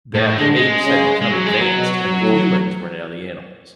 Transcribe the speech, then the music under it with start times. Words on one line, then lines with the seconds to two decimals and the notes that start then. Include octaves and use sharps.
that the apes had become advanced and the humans were now the animals,
0.15 A2
0.38 D3 G#3
0.56 G#3
0.85 C#3
1.21 G#3
1.30 F#3
1.46 G#3
1.61 F#3
1.76 B2
2.22 A2